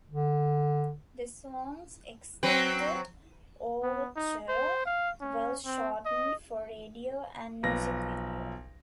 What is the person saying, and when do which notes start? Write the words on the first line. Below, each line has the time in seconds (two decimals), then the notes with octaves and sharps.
The song's extended overture was shortened for radio and music video.
0.11 D3
2.43 F#3 C4 B4
3.83 B3
4.16 D#4
4.49 C5
4.86 F5
5.21 C#4
5.65 C4
6.05 D#5
7.63 B1 F3 B4 A#6